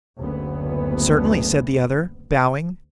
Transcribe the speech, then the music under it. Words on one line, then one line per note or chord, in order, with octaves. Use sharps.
"Certainly," said the other, bowing.
F#1 D2 B3